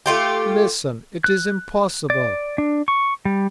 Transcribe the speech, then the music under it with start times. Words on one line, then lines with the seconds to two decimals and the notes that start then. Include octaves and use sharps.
Listen--it is impossible!
0.06 A3 F4 G4
1.24 F#6
2.10 D5
2.58 D4
2.88 C#6
3.25 G3